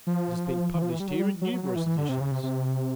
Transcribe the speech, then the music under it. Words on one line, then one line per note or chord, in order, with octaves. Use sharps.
It has been published here in numerous editions.
F3
E3
F3
E3
G3
F#3
G3
F#3
F#3
F#3
E3
E3
D3
C3
C#3
C3
C3